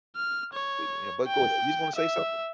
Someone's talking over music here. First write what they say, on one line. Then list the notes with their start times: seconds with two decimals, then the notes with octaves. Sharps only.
We you know but go ahead, you was gonna say something?
0.16 F6
0.53 C#5
1.28 G5
1.96 E5